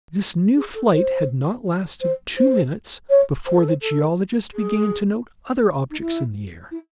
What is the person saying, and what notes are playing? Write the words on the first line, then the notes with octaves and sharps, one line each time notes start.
This new flight had not lasted two minutes before the geologist began to note other objects in the air.
G#4
A4
C5
C5
C5
C#5
C5
A4
C5
A4
G#4
D#4
E4
E4